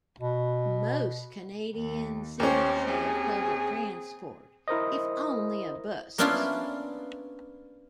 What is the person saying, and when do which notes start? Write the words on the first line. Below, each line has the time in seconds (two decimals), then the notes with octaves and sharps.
Most Canadian cities have public transport, if only a bus system.
0.20 B2
1.76 D#2
2.40 D#2 C#4 G4 C5
2.82 C4 G#4
4.68 E4 A#4 C5 D#5
6.18 A#3 B3 C#4 D4 E4 F4